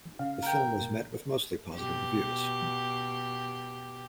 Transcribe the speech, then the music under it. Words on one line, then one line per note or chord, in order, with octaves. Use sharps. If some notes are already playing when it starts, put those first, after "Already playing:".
The film was met with mostly positive reviews.
C#3 F5
A#4 G5
A#2
B2 G4